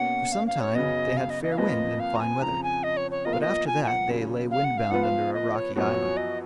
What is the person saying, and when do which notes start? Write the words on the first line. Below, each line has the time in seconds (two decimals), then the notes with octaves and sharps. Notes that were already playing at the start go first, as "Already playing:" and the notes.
For some time they had fair wind and fine weather, but after that they lay wind-bound under a rocky island.
Already playing: B2 A#3 C#4 F#5
0.32 F5
0.47 F5
0.60 C#5
0.74 F#2 C#3 F#3 B3 D#5
1.17 F5
1.30 D#5
1.43 D#5
1.52 F5
1.57 F2 F3 A#3 F4 B4 D#5
2.00 F5
2.15 A#5
2.20 G#5
2.42 F2 C#3 F3 A#5
2.63 G#5
2.83 D#5
2.97 C#5
3.11 C#5
3.25 A#2 F3 B3 F4 A#4 D#5
3.33 F5
3.41 D#5
3.67 G#5
3.83 G#5
3.87 F#5
4.09 D#2 C#3 F#3
4.51 F5
4.64 F#5
4.78 F5
4.91 F3 B3 F4 B4 F#5
5.03 F5
5.33 D#5
5.55 C#5
5.76 F#2 F3 B3 F#4 C#5
6.17 D#5